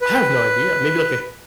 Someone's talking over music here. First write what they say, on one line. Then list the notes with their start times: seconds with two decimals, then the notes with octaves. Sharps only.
I have no idea. Maybe, like, a
0.01 B4